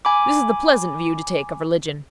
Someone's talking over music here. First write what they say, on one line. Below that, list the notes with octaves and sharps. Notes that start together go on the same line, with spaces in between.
This is the pleasant view to take of religion.
G#5 B5 D6